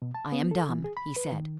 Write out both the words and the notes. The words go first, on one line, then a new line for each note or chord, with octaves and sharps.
"I am dumb," he said.
B2
A5
B3
A4
E3
G#4
B5
B4
D#3